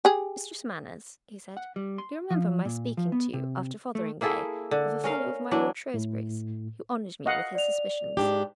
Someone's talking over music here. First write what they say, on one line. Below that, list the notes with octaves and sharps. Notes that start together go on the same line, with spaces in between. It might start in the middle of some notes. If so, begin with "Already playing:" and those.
"Mistress Manners," he said, "you remember my speaking to you after Fotheringay, of a fellow of my lord Shrewsbury's who honoured me with his suspicions?"
G4 G#4
F#5
G3
C6
F3
A#2
F3
B3
C3
A3
A#3 E4 G#4 A4
D3
C#4 A#4 F5
E3 F#3 D4
A2
D#5 F5 F#5
D5 F7
G#2 D4 G4